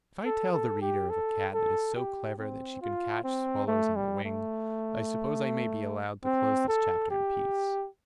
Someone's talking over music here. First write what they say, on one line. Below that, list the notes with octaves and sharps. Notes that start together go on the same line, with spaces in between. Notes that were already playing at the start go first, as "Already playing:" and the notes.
If I tell the reader of a cat that is so clever that she can catch swallows on the wing, I suppose I may be allowed to close this chapter in peace.
A4
A4
G4
A4
A4
G4
C4
F4
C4
A3
G3
A3
C4
A4
G4